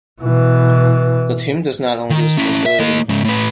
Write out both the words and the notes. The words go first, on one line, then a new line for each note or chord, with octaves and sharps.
The team does not own this facility.
B2 E3
D#3
C#4 E4
E5
A#3 D#5
G#2 C#3
A2 B4